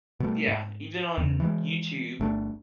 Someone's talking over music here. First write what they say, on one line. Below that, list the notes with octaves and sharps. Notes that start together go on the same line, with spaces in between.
Yeah, even on YouTube,
B2 G3 A3
G#2
E2 C#3
E3 G#3
G1 A3 C#4 D4